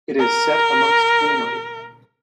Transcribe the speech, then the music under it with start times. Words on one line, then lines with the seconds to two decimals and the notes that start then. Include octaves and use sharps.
It is set amongst greenery.
0.19 A#4